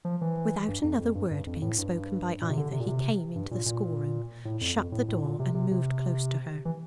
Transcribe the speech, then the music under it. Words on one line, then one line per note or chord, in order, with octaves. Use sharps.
Without another word being spoken by either, he came into the schoolroom, shut the door, and moved close to her.
F3
E3
G2
F2
F2
G2
G2
F2
A2
G2
A#2
C3
D3
C3
A#2
C3
G2
A#2
A#2
A2
F2
F2
A2
A2
A#2
C3
C3
C3
E3